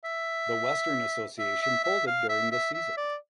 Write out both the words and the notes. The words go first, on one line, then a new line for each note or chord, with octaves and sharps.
The Western Association folded during the season.
E5
E5
E5
E5
F5
E5
E5
E5
D5